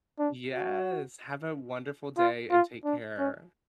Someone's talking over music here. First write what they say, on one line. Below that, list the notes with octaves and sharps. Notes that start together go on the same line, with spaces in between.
Yes, have a wonderful day and take care.
D4
F#4
F4
F4
D4
C#4